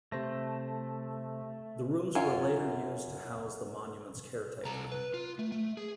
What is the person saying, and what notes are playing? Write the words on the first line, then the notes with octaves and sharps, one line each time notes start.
The rooms were later used to house the monument's caretaker.
C3 A3 C5 A#6
F#2 C#4 F4
C2 A#5
B4
F4
A3
A3
G#4